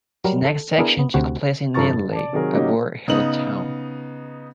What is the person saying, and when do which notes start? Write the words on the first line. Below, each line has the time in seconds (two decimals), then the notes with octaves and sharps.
The next action took place in Lindley, a Boer held town.
0.24 F#3 G3 A#4 A#5
0.45 A4
0.78 B3 D4 E4 G#4 A#4
0.99 B3
1.14 D2 C3 F#4
1.74 G2 F3 A4 A#5 C#6 A6
1.90 F#1
2.12 D5 A5
2.33 C3 D#3 F#3 G#4 A#4
2.54 C#3 F#3 A#3 D#4 G4
3.08 C#3 B3 D#4 F#7